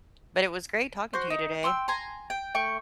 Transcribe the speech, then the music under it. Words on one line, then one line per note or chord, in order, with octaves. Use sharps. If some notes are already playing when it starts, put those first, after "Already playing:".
But it was great talking to you today.
F#4 C5
D#4
G5 C6 D#6 E6
G#5 A#5 C6
G5
A3 G5 C#6